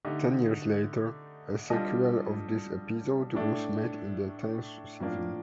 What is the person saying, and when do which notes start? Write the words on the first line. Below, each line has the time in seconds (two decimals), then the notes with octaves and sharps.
Ten years later, a sequel of this episode was made in the tenth season.
0.05 D3 A3 D#4 G4
1.70 G3 D4 F4 A4 D#5
3.35 A2 A3 D4
5.00 A2 F3 A#3 D4